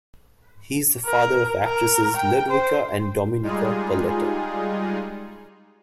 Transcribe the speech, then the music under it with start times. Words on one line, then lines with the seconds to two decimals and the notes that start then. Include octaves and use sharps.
He is the father of actresses Ludwika and Dominika Paleta.
1.05 A#4
1.63 A#4
2.16 G5
2.50 C5
3.42 G3 G#3 D#4 F4 G#4